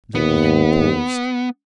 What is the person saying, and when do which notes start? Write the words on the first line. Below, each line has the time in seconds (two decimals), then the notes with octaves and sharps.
Lady Henry paused.
0.15 D#2 B3